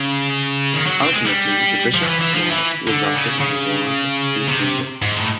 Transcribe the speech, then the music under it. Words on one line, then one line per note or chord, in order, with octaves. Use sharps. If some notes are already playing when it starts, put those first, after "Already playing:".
Ultimately the Bishops' Wars resulted in the Wars of the Three Kingdoms.
Already playing: C#3
D#3
F#3
C4
G#3
G3
F3
E3
E3
F3
E3
D3
C#3
C#3
C3
G#2
A2